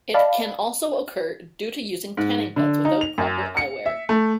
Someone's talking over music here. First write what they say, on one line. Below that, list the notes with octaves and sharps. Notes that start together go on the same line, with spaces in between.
It can also occur due to using tanning beds without proper eyewear.
D5 D#5 F5 A5 B5
G#2
D3
D#4
F7
F#2
C#7
E5
A3